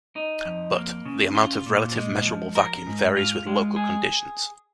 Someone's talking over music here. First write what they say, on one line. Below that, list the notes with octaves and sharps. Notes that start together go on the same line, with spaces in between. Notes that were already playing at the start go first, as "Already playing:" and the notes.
But the amount of relative measurable vacuum varies with local conditions.
D#4
F2
A#3
C#3
F4
A#2
G#3
F3
A#4
G#2
F4
G#3
G#4